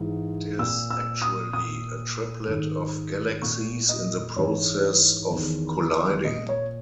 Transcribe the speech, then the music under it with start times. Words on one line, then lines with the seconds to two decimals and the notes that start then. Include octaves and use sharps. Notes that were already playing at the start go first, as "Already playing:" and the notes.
It is actually a triplet of galaxies in the process of colliding.
Already playing: G#2 E3
0.59 A#2 E6
0.91 E6
1.22 D#6
1.53 A#2 D#6
2.48 G#2 D#3
3.42 A#2 C#6
3.89 D#5
4.36 G#2 E3 C#5
5.30 E2 D#3
6.25 A#2 D#5
6.49 C#5